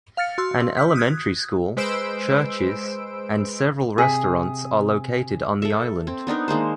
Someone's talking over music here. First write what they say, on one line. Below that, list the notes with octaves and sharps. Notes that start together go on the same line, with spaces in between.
An elementary school, churches, and several restaurants are located on the island.
F5 F6 A6 C#7
F#4 C6 E6
F6 G6 B6
D#6 F#6 G#6
G#3 B4 C5 E6 D7
C3 G#4 G#5 B6
A4 E5
C4
B3 D4 D#4 A#4
D#3 G#3 A#3 C5